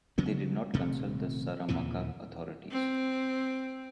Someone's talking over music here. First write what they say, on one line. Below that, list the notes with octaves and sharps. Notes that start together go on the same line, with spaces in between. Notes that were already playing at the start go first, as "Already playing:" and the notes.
They did not consult the Saramaka authorities.
C#3 F#3 B3
D#1 C3 A3
D#2 A#2 C#3 E3
C4